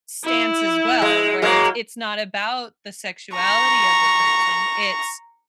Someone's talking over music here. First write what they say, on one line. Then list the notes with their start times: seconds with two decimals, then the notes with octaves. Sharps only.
stance as well, where it's it's not about the sexuality of the person, it's
0.24 E4
1.02 G#3
1.42 F#3 G#3 A#3
3.35 A#5 C#6